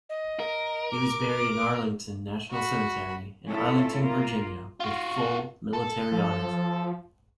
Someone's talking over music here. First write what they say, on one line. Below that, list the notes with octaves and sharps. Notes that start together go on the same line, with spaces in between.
He was buried in Arlington National Cemetery in Arlington, Virginia, with full military honors.
D#5
A#4
D6
F#4 B5
C#4 E4 F4 A4 C#5
A#3 F4 A#4
F4 F#4
A4
F3